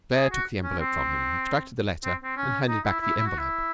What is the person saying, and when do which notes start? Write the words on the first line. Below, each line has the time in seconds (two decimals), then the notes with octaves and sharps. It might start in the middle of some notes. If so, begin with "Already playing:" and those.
Claire took the envelope from him, extracted the letter, and handed back the envelope.
0.15 G#4
0.32 F#4
0.63 C#4
0.79 C4
2.04 C4
2.23 C4
2.37 C#4
2.68 D#4
2.84 E4
3.00 E4
3.16 E4
3.26 F#4
3.38 E4